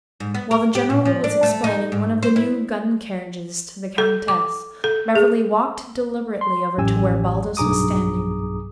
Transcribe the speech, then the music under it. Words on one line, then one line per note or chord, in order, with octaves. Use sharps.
While the general was explaining one of the new gun-carriages to the countess, Beverly walked deliberately over to where Baldos was standing.
G#2
B3
A#4
G4
A#2
F3
D4
A3
D#4
G#2
C5
E4
A4
D6
A4
G#4
C6
A1 F#2 G4 G#5 E6
B1 G2 G#4 A#5 D6 D#6